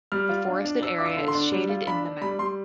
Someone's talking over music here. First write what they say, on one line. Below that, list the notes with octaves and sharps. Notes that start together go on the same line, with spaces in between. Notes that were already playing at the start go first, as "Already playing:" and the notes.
The forested area is shaded in the map.
G3 F6
F4
D4
D4
D4 E6
F4 D6
E6
D3
C6
D4
G3
F4
D4 B5
D4
G3 B5
G3 C6